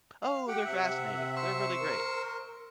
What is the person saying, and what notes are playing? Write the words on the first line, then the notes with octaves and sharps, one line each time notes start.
Oh, they're fascinating, they're really great.
F5
G4 F#5 G5
C3 E5
C5 C#6 E6
A#4